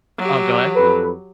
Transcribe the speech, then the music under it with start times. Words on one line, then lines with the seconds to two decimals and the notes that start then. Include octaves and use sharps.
Oh, go ahead.
0.18 F#3 G4
0.75 F2 A4 B4